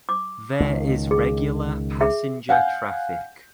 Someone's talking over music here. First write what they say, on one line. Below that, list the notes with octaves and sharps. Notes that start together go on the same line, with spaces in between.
There is regular passenger traffic.
D6
C#2 D#3
G#4
G#4 E5
F5 F#5 G#5 G6